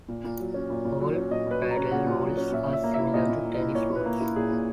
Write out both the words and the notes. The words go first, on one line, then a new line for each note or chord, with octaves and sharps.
All paddle rules are similar to tennis rules.
A#2
A#2
F#3
C#4
A#2
A#2
F#3
C#4
A#2 D#5
A#2 B4
F#3
A#5
C#4
A#2 F#5
A#2
F#3
C#4
A#2 E5
A#2 E5
A#3
E4 E5
A#2 D#5
A#2
A#3
E4 D#5
A#2 C#5
A#2
B4
A#3
E4
A#2 G#4
A#2